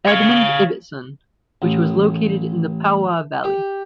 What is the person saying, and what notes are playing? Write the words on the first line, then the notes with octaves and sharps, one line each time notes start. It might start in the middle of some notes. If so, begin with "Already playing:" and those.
Edmund Ibbotson, which was located in the Pauoa Valley.
C#5 F5
A1
G4